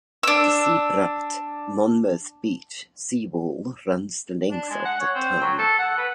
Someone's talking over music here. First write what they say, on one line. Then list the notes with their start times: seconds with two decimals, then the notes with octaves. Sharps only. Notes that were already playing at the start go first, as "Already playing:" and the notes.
The Sea Bright-Monmouth Beach Seawall runs the length of the town.
0.23 D4 E6
4.51 D4
4.70 G#3
4.85 F#5
5.00 C#5
5.15 C4
5.42 F#3
5.59 A4
5.79 F#5
5.97 B4